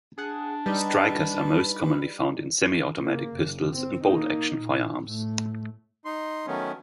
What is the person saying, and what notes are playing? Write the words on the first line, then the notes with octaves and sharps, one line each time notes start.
Strikers are most commonly found in semi-automatic pistols and bolt-action firearms.
D4 G#4 F#5
G3 D#4 G4 B4
C#3 A#3
F#1
C4
A#3 D#4
A#2
A2 A3
D#4 C6
D#3 F#3 A3 B3 C#4